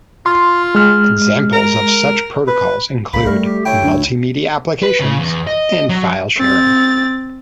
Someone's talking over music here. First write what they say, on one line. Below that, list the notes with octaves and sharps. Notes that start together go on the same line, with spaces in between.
Examples of such protocols include multimedia applications and file sharing.
F4 C6
G#3 F6
A#4
B4
C#2 A#3 B5
G3 A3 A#4
G4
E4 G4 C#5 G5
D2 D4
B4
C#3
E2
D#5
F#3
C4 A6